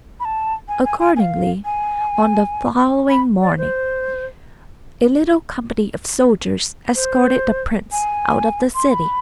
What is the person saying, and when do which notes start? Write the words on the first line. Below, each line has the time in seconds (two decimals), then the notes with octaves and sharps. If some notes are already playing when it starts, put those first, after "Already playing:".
Accordingly, on the following morning, a little company of soldiers escorted the prince out of the city.
0.20 B5
0.25 A5
0.68 G#5
0.85 G#5
1.00 G#5
1.16 G#5
1.20 F5
1.65 G#5
3.10 B5
3.41 D5
3.58 C5
6.96 C5
7.92 G#5
8.75 C6
8.89 C6
8.92 B5